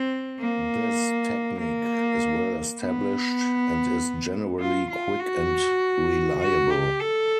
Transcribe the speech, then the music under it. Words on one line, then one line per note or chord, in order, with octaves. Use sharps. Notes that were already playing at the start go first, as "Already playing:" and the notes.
This technique is well established and is generally quick and reliable.
Already playing: C4
A#3
A#3
B3
F4
F4
F#4
F#4
G4
A4